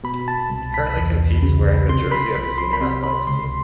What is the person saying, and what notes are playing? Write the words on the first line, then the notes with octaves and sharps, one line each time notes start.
He currently competes wearing the jersey of his unit athletics team.
B2 B5
A5
C2
B5
E2
C#3
C3 C6
B5
C2 B5
C6
B5
C3 C6
B5
C#2 C6